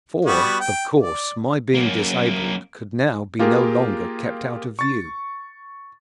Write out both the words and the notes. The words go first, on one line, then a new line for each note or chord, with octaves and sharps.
For, of course my being disabled could now be no longer kept out of view.
G3 B3 F#4
G5
D5
F#2 A#3
A#3 F4 G4 G#4 A#4
C#6 A6